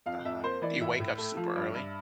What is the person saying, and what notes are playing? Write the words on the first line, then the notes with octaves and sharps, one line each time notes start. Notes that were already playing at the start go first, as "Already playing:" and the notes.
Uh-huh. Do you wake up super early?
F2 F5
F2 E5
A#3 C5
E3 D5
A2 E5
A2
A3
F3
G2
G2